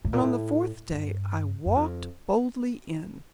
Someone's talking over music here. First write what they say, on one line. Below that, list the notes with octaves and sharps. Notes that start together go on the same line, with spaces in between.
And on the fourth day I walked boldly in.
A2
A#2
A2
G2
F#2
F2